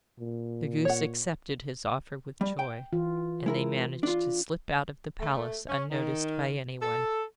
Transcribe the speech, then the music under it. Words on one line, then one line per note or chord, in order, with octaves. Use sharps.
The goose accepted his offer with joy, and they managed to slip out of the palace unnoticed by anyone.
A#2
C#5 F#5
G3
G5
E3 F4
G#3 E4 A#4
D4 F4
A3
C#4
D#3
A4